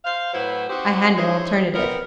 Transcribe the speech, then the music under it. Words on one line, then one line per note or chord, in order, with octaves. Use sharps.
I had no alternative.
C5 F5
A2 F#3 E4 B4 C5
C4 D#4 F#4 G4 C5
D#4 E4 G#4 C5 C#5
B3 C4 A#4